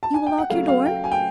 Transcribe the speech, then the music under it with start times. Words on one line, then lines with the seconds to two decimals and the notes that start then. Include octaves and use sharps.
You will lock your door?'
0.03 A5
0.14 G#5
0.27 G5
0.38 F#5
0.50 C#3 F#3 A3 F5
0.68 F5
0.86 G5
1.04 G#5
1.12 G5